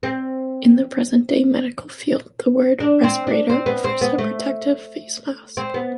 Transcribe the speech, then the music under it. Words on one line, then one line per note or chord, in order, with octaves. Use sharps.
In the present-day medical field the word "respirator" refers to a protective face mask.
C4
D4
C4
D4
C4
B3
C4
B3
A3
C4
B3